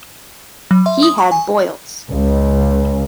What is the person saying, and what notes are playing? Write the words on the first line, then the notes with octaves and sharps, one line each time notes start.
He had boils.
F#3
E5 C6
D#6
C#6
G#5
C#2